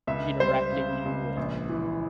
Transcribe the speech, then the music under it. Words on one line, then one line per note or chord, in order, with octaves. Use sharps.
redirecting you, and
C#2 E5
G3 C5
C#3
C#2
A#1
E3